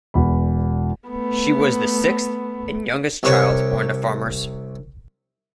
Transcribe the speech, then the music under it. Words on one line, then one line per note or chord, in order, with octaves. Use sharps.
She was the sixth and youngest child born to farmers.
E1 E2 B5
A3 B3
C2 C3 B4 C#5 C#6